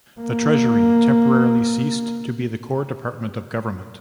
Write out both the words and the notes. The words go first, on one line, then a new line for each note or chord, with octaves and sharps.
The Treasury temporarily ceased to be the core department of government.
A#3